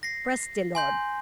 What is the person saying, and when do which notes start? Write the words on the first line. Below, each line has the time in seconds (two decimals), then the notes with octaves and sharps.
Bress de Lord!
0.03 A#6 C7
0.75 G#5 C6 G6